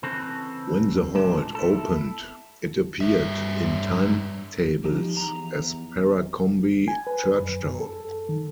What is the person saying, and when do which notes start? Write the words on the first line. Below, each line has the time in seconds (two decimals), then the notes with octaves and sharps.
When the Halt opened it appeared in timetables as "Parracombe Churchtown".
0.03 C#3 E3 C4 A4
1.15 A#2 G#3 D4 A5
1.55 E4 A4
3.01 G2 E5
4.84 F3 D#4 G4
5.17 E2 A#5
6.88 G#5
7.07 B4
7.24 B4
7.40 F#2
7.80 A4
8.29 D#3